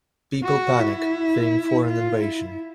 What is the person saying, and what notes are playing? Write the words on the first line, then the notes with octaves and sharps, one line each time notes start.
People panic, fearing foreign invasion.
F#4
E4
F4
E4